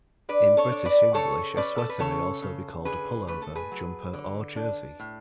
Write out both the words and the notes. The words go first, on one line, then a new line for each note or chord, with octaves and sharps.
In British English, a sweater may also be called a pullover, jumper or jersey.
D4 B4 D5
A4 C#5
D4
B4 D5
C#3 A4 C#5
C#4 B4 D5
A4
B4
C#3 A4 C#5
C#3
D3 G#4 B4
A3 B4
A4
G#4 B4
F#3
D3
D4
A2